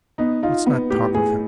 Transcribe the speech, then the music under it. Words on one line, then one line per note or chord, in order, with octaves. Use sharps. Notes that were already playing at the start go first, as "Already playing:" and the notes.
Let's not talk of him.
B3 D#4
D#4 F4
B3
A2 G4
A2 G#4